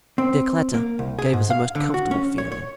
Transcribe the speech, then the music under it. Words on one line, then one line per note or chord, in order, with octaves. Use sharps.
Their clatter gave us a most comfortable feeling.
C4
A#3
C2
G#4
G#2
F5
D3
F#4
C#4
C#5
C#5